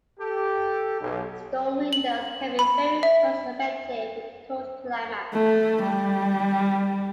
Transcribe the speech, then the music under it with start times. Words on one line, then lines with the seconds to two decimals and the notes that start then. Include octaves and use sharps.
Storm windows can be very cost-effective, in cold climates.
0.20 G4 A4
1.01 B1
1.93 F#7
2.59 B5
3.03 E5
5.33 A3
5.83 G3